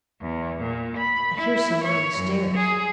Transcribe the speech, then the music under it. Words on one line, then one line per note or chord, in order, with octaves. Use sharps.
"I hear some one on the stairs."
E2
A#2
B5
E4
C#5
F#2
G#4